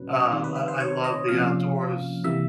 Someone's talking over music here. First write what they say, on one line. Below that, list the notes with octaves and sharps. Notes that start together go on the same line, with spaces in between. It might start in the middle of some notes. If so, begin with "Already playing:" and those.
uh, I I love the outdoors,
Already playing: A#2 F#3 C#4 B4
D#3 G3 C4
B4
B4
C5
C#5
D#5
C3 F3 A#3 C#4 F5
C3 E3 G3 A#3 E5